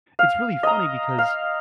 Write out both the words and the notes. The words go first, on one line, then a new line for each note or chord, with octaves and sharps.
It's really funny because
F5
D#5 A#5
F5